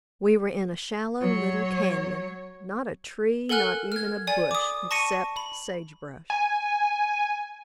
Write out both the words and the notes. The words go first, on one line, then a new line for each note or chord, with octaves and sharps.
We were in a shallow little canyon,--not a tree, not even a bush except sage-brush.
F#3 C#5
A4 A#4 F#5 G#5 F6 F#6
F6 G#6
D5 G#5
D6 D#6
A5 C#6 A#6 C#7 D#7
B5
G#5